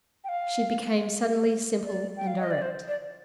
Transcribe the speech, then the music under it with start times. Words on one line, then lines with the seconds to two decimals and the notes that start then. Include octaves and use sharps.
She became suddenly simple and direct.
0.24 G5
0.29 F5
1.84 D5
2.17 G5
2.27 F5
2.39 D#5
2.50 D5
2.62 C5
2.88 D5